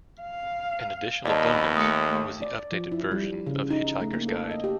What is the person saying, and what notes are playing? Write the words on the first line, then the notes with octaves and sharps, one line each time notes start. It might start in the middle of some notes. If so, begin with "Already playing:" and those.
An additional bonus was the updated version of "Hitchhiker's Guide".
F5
D#2 B3 D5 D#5 A5
A3 D#6 C#7
D5
F3
E4
G3
C#3
D#4
A3
A#3
A4
D#5
G4